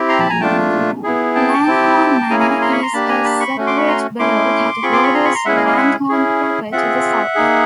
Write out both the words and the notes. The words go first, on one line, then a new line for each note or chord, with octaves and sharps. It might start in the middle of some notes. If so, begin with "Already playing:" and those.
Langhorne Manor is a separate borough that borders Langhorne proper to the south.
Already playing: C4 E4 G4
A#5 C6
A5 B5
G#5 A#5
A3 D4 F4 G5 A5
B3 E4 G#4
G5 A5
C4 E4 G4
A#3 C#4 E4 G#4 G#5 A#5
G#5 A#5
G#5 A#5
A#5 C6
B5 C#6
A#5 C6
A#3 D4 G4 A5 B5
G#5 A#5
A5 B5
B5 C#6
A3 C#4 F#4
C6 D6
B5 C#6
A#5 C6
A3 C#4 E4 C6 D6
C4 F4 G#4 B5 C#6
C6 D6
B5 C#6
A#5 C6
B5 C#6
A#5 C6
G#3 C#4 E4 G#4 E5 F#5
D#5 F5
D#5 F5
E5 F#5
C#4 E4 G#4
C4 F4 G#4 E5 F#5
A#3 D#4 G#4